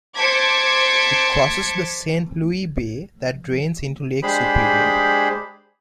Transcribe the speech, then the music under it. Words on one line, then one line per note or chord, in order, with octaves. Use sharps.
It crosses the Saint Louis Bay that drains into Lake Superior.
C5 A5 D6 G#6 B6 C#7
G#3 D4 G4 G#4 C5 B5